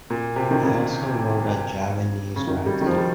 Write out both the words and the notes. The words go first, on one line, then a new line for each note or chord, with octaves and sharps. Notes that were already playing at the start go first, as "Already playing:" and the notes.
He also wrote a "Javanese Rhapsody".
A#2
C3
D#3
C#3
C#3
D#3
G3
D#3
F3
G3